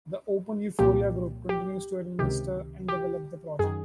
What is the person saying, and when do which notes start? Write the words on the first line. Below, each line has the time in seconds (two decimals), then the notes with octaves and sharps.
The openEuphoria Group continues to administer and develop the project.
0.79 C2 A#2 F3 G4
1.49 G4
2.19 C#2 C3 D#3 G4
2.88 G4
3.59 F#2 D#3 G#4